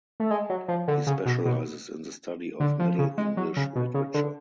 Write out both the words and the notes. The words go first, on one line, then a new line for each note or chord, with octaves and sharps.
He specializes in the study of Middle English literature.
A3
G#3
F#3
F3
D3
C#3
B2
B2
D3
F3
C#3
G#3
F#3
C#3
B2
C#3
D3